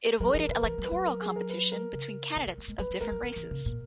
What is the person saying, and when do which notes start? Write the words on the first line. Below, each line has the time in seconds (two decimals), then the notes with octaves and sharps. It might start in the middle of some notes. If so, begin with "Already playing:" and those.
It avoided electoral competition between candidates of different races.
0.20 F#3 A#4
0.27 G#4
0.34 E3 A#4
0.49 D#3 B4
0.63 E3 A#4
0.78 F#3
0.84 B4
0.92 F#3
1.06 A#4
1.21 G#4
1.36 A#4
1.49 B4
1.72 A#4
1.93 C#3
2.36 D#3
2.47 D#3
2.58 F#3
2.68 G#3
2.79 F#3 B4
2.90 F#3
3.01 G#3 A#4
3.11 F#3
3.23 E3
3.36 E3
3.51 C#3
3.66 A#2